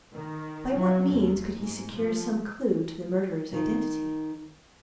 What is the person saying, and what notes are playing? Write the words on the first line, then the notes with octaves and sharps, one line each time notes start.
By what means could he secure some clue to the murderer's identity?
D#3
F#3
D#2
G#2
F3
D#3